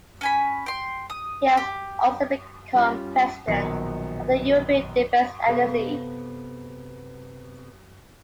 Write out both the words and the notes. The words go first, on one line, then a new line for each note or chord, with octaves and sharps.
He has also become president of the European Defence Agency.
C#4 G#5 B5
G5 C6
D#6
G4
G3 C#4 F4
A#1 B2 D#3 F#3 C#7
C3 B3 A4 F5